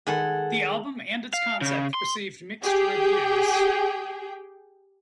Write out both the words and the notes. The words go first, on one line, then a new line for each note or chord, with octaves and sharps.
The album and its concept received mixed reviews.
D#3 G#3 A4 B4 F#5 G#5
F5
C#3
C6
G4 G#4 G5